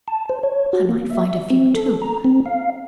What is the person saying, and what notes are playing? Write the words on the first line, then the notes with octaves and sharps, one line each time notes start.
"I might find a few, too."
A5
C5
C#5
F#4
A#3
E5
C4
A4
A#5
C4
F5